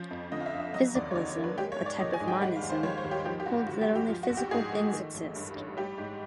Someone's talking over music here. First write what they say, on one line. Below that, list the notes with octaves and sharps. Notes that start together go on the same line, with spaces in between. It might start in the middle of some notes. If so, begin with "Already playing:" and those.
Physicalism, a type of monism, holds that only physical things exist.
Already playing: F3 C#4
F2
D3 D#5
F5
E5
F2
E5
F#3 D#5
D#2 D5
C#5
D3 D5
C#5
A#3
B4
G#3 G4
C#5
G#2
D5
F3 D#5
G#5
G#2
G5
G3 F#5
F5
D#2
C5
D#3 C#5
C5
D#2
G4
F3 G4
G4
G2 F#4
D3 F#4
G4
G#3
G4
F3 F4
F#4
A#1
G4
G#2 G#4
A3
D#3
A1
G2
A1
G3 G4
G#2